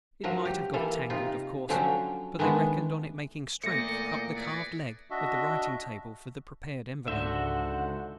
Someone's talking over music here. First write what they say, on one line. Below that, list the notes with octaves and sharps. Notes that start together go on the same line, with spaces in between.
It might have got tangled, of course, but they reckoned on its making straight up the carved leg of the writing-table for the prepared envelope.
F3 F#3 F#4 A#4
G4
E3 A#3 A4 F5
C3 D#4 F4
D3 F3 F#3 C#4 D4 G5
D#3 G#3 A3 B3 D4
E2 A#2 A3 C5 D5 D#5 A#6 C#7
G#4 B4 D5
D4 F#4 D#5 E5
C#2 G#2 D3 F#4 C5 E5 F#5